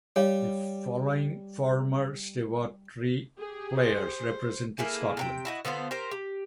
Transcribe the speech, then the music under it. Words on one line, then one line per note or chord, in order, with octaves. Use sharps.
The following former Stewartry players represented Scotland.
G3 C#5 F5
G4 G#4
C5
A#3 E4 G#4 A4
C3 A#4 G5
E4 F#4 D#5
D3 B3 F4 C5
G4 A#4 C5 A#5
G4